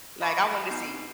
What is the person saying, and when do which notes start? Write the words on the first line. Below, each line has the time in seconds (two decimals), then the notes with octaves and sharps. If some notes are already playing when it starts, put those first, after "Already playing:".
Like, I wanted to see
0.20 D#5 F5 A#5 B5 C#6 D6
0.70 B3 D#4 G6 C7